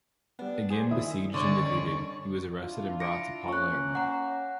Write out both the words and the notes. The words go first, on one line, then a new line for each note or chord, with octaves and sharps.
Again besieged and defeated, he was arrested and brought to Palermo.
G3 B3 D4
G#4 C5 D6
D#3 E4 D#6
G2 D3 D#3 C#4 C#5 D5 C#6
D4 E4 F4
A#6 C#7 D7
A#3 C#4 C#6 F#6
C#5 F#5 A#5